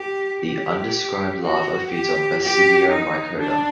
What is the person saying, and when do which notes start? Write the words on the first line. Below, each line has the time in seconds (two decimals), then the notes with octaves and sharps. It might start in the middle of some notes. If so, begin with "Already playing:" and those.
The undescribed larva feeds on Basidiomycota.
Already playing: G4
0.43 G4
1.42 F#4
1.91 G4
2.42 G4
2.91 D#4
3.40 D4